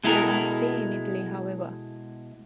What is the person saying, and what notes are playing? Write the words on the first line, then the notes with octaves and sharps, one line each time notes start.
He did not stay in Italy, however.
B2 G#3 E4 A4 A#4